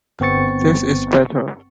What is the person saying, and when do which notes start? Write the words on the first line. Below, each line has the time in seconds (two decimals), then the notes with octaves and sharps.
This is better.
0.20 G1 B3 C4 C#6 A6 C#7